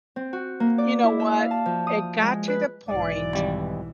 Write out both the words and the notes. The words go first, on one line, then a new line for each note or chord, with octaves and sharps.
You know what? It got to the point
C4
F#4
A#3
D5
E4
E5
F5
A5
F3
D#6
G#3
B4
B1 G#2 E3 D5
G#1 G3